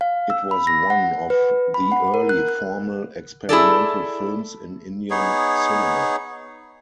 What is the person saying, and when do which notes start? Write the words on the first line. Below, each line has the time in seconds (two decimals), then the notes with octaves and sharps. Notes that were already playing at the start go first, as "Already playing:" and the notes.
It was one of the early formal experimental films in Indian cinema.
0.01 F5
0.30 E6
0.51 B5
0.67 A#6
0.90 F#5
1.30 B4
1.74 B5
1.92 F#5
2.14 A#4
2.29 F#6
2.49 F#6
3.49 E4 G#4 A4 D5
5.11 B3 D#4 G#4 C#5